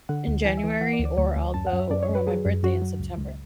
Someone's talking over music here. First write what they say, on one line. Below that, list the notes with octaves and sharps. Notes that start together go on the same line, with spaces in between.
in January, or I'll go around my birthday in September.
D3 F#5
D2
E3 G#5
E5
E3
E5
E3 F#5
D5
D2
D5
D2 C#5
D2
F#2 A5
F#5
F#2
E5
F#2 D5
C#5
F#2
B4
F#3 G#4
F#2
F#2 F#4
F#3
C#2
C#2